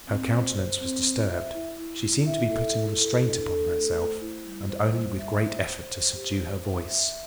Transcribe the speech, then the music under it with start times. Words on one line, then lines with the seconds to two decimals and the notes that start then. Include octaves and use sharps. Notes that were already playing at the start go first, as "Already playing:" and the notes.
Her countenance was disturbed, she seemed to be putting a restraint upon herself, and only with great effort to subdue her voice.
0.07 C4
0.32 C5
0.57 C5
0.81 C4
1.05 C5
1.30 E5
1.54 E4
1.78 E4
2.03 E4
2.26 E5
2.50 A4
2.75 E4
3.00 A4
3.24 D4
3.48 A4
3.72 A3
3.96 C5
4.21 E4
4.45 G3
4.69 C5
4.94 G3
5.19 E5
5.43 C5
5.66 C5
5.91 C5
6.15 G4
6.39 C5
6.63 E5
6.88 E5